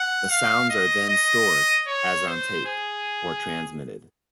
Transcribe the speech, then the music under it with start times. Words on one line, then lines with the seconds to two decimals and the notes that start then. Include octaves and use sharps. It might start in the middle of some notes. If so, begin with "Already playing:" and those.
The sounds are then stored, as on tape, or transmitted.
Already playing: F#5
0.31 F5
0.70 D#5
1.09 D#5
1.87 C#5
2.27 C5
2.66 G#4